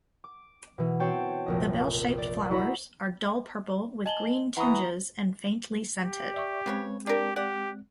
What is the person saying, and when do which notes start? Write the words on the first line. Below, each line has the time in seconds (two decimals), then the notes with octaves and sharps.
The bell-shaped flowers are dull purple with green tinges and faintly scented.
0.24 D6
0.78 B2 E3
1.00 C4 F#4 C#5 G5 A5
1.46 F1 A#1 D#5
2.18 D5
2.51 E4 F#4 D#5 A#5 B5
4.06 D#5 G#5 A5 F#7 G7
4.57 E3 F#5 A#5 B5 C#6 D#6
6.03 G4
6.34 D5 E5 C#6
6.66 C#3 G#3 B3 C4 C#5
7.07 D4 G4 A#4
7.36 G4 D5 F#5